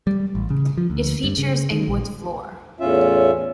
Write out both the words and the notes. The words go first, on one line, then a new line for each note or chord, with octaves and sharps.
It features a wood floor.
G3
A1
C#3
F3
D2
G2
C#3
D#3
A#1
E2 A2 C#4 F4 E5